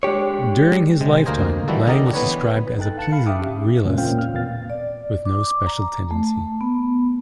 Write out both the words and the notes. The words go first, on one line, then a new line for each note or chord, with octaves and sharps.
During his lifetime, Lange was described as a pleasing realist with no special tendency.
G#3 D4 G4 C#5
C3 G#3
D2 A#3 A#4 C5 D#5 G#5
D#3 E3 G3 E4 F#4 A4
D3 D#4 G4 A#4 D#5 F#5
E3 B3 B4 C#5
B4
G1 D#4 A4 G5 F#6 A6
F5 A5 F#6 C#7
F5 B5
E5 G5 D6 D#6 F6
C#4 G4 E5
C#2 A#2 C#3 G#3
E2 A#2 C4 C#4 F5 G5
F6
E2 A#2 B3 F5 A6
D5
D6
A#5
A3
B3